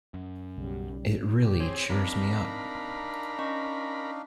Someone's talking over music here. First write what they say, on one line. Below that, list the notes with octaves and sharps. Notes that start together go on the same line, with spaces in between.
It really cheers me up.
F#2
B1 C#3 G3
G4
C4 G#4 C#5
C4 D4 D#4 A#4 F5 B5
C#4 D#5 C#6